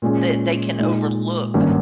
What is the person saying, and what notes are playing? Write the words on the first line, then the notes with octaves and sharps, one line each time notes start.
that they can overlook,
A#2 G#3 C#4 G#4
A#2 G#3 D#4
G#1 G2 G3 A#3 C#4